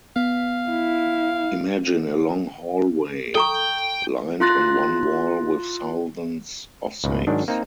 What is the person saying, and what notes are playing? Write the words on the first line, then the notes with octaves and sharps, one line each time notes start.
Imagine a long hallway, lined on one wall with thousands of safes.
B3 F5
E4
A4 G5 A#5 C#6
E4 F4 C6 F#6 A6 A#6
C#2 G#2 B2
G#2 D#3 F#3 D4
A#3 C4 D#4